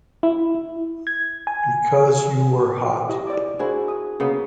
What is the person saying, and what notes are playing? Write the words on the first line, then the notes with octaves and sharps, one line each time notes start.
Because you were hot.
E4
G#6
G#5
E4 G4 D#5
D5 D6
D4 E4 F#4 G#4 A#4 C5
D#6
C#3 A#3 B3 C#4 D#6